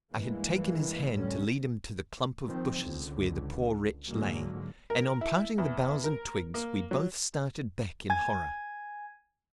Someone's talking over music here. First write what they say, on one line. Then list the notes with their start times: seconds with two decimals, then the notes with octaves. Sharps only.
I had taken his hand to lead him to the clump of bushes where the poor wretch lay, and on parting the boughs and twigs we both started back in horror.
0.12 G2 E3 G#3 A#3
1.14 C#2 F#2 A2 D3 G3 C#4
2.46 D#3 F3 C4
2.81 C#2 D3
4.08 G#2 D3 F#3 G#3 A#3
4.90 A#4
5.21 E4
5.58 E2
6.04 A#4
6.54 A#3
6.91 F#3
8.10 G#5 G#6